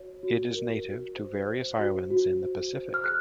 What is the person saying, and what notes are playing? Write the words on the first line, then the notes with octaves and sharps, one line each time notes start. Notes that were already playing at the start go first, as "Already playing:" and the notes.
It is native to various islands in the Pacific.
Already playing: F#4 C#5
F#4
A#4
F#4
C5
C5
F#4
F#4
C5
C5
F6
G#4 F#6